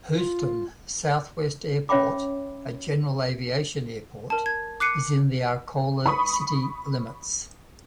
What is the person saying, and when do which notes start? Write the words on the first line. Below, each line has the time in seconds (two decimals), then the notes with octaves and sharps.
Houston Southwest Airport, a general aviation airport, is in the Arcola city limits.
0.15 F4
1.89 C#4 C#5 E5 G5 B5 D6
4.30 A#4 A5
4.46 G#6
4.80 D6 F#6 C7 C#7 D#7
6.06 B5 C#6 D#6